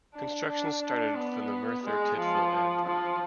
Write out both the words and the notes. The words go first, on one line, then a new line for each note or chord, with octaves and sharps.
Construction started from the Merthyr Tydfil end.
D4
D4
D4
B3
G#3
F3
F3